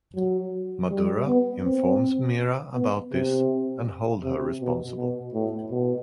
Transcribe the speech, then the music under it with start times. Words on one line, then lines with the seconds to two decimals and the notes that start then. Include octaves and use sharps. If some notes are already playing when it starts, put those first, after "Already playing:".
Madhura informs Meera about this and hold her responsible.
0.15 F#3
0.90 G3
1.27 B3
1.64 C4
2.75 B3
3.12 C3
4.23 C3
4.61 B2
4.96 B2
5.34 A2
5.70 B2